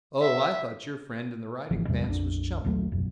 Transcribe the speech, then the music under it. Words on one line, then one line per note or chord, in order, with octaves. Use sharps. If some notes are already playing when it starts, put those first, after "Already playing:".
"Oh, I thought your friend in the riding-pants was chummy."
E5
G#1 C#3 E3 F3
A1 E2 C3 G3
A#1 F2 D3 D4
A#1 D#2 F#3 A3
F1 B1 F#2